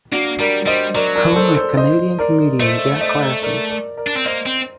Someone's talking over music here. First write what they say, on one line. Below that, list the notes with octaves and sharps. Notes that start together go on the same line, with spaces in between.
Home of canadian comedian Jack Klassen.
A#3 D4 F#4
G3 A#4 D5
G3 C5 D#5
F#3 A#4 D5
A#4 D5
A4 C5
A4 C5
C5 D#5
A#4 D5
A3 C5 D#5
C5 D#5
A#4 D5
A#4 D5
A#4 D5
D4
C4
A#3 C5 D#5
C4